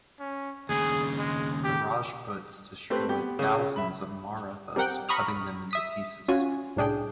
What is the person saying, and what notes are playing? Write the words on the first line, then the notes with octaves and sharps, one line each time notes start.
The Rajputs destroyed thousands of Marathas cutting them into pieces.
C#4
D#2 C#3 G#4
G#3
G4
A3 C4 G4 B4
B3 G4 G5
C#3 C#4
E5 B5
G3 C4 A#4 F#5 G5
A#5 B5 C#6 D#6 F6
E5 D#6 B6
C#4 F4 F#4 G#5
C2 A2 D4 G#4 G5